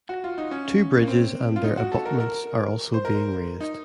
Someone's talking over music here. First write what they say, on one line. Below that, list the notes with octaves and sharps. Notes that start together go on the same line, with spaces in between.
Two bridges and their abutments are also being raised.
F#4
F4
D#4
C#4
A#3
C4
F4
D#4
F#4
A4
A#4
A#4
C5
A#4
D#4